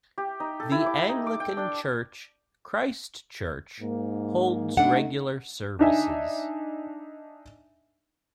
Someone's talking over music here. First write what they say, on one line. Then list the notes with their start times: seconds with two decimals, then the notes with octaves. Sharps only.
The Anglican church, "Christ Church" holds regular services.
0.18 G4
0.40 D#4
0.60 A4
0.72 E4
0.86 D6
1.09 D#4
1.27 D6
1.40 G5
1.57 D4
3.80 G#2 A#3
4.77 A3 D4 D#4 A4 F#5
5.79 D4 D#4 E5 G#5